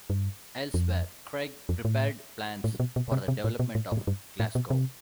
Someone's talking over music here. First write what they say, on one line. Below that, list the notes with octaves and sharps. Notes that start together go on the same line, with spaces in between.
Elsewhere, Craig prepared plans for the development of Glasgow.
G2
F2
F2
A2
A2
B2
B2
C3
C3
A2
B2
A2
A2
G2
A2
B2
C3